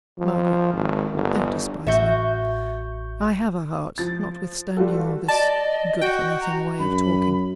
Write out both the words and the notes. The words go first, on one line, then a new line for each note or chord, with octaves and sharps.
'Margaret, don't despise me; I have a heart, notwithstanding all this good-for-nothing way of talking.
F3
G#1
G1
A1 F#4 E5 C#6 G6
F3 A6
G3 F4 F#4 A4
D5 D#5 A5
F#4 G5
A#5
F#2 B5